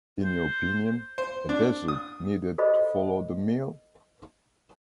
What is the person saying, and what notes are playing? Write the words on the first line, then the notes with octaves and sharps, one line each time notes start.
In your opinion, a dessert needed to follow the meal?
C5
C5
D4
D#6
A4 C5 D#5 B5